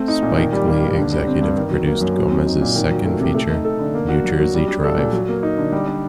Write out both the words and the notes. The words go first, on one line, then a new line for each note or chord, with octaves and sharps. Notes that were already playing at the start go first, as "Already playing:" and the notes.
Spike Lee executive produced Gomez's second feature, "New Jersey Drive".
Already playing: A3 C4
D#4
A#2
D#3
G3
A#3
G2
D3
G3
C4
G2
D#3
F#3
A#3
F#2
F#3
C4
D#4
A#2
D#3
F#3
A3
C3
A3
D#4
A4
D3
A#3
F#4
F#3
F#3
G3
D4
A4
A#2
F#3
A#3
D#4
D3
G3
D4